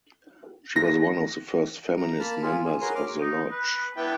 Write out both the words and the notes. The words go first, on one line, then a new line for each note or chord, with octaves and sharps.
She was one of the first feminist members of the lodge.
A#6
A#5
A#3 A5 B5 F6
F4 G#4
G#4
F#4 G#4 A#4 B4 C#5 C6
D6 F6
D#4
B4
B3 D4 E4 G5